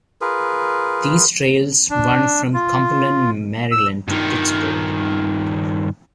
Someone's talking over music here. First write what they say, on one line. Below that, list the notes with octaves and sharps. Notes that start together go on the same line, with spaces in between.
These trails run from Cumberland, Maryland to Pittsburgh.
F4 G#4 A#4 B4
D4
F4
E6
G2 D#3